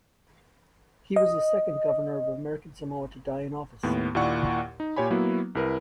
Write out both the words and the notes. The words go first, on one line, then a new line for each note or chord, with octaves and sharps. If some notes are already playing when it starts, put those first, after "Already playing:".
He was the second Governor of American Samoa to die in office.
D#5
D#2 A2 B3
D#2 A#2 E4 D5 F#5 C#6
D#4
A#2 G4 C#5 G#5 B5
F#3 A#3 B3 E4 F#4
C2 E4 A#4 B4